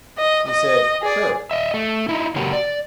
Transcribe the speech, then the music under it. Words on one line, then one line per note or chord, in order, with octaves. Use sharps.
He said, 'Sure.
D#5
D#5
G#4 D5
D#5 E5
A3
D#4 E4
C#3 F#3 A#3 F#4 G4
D5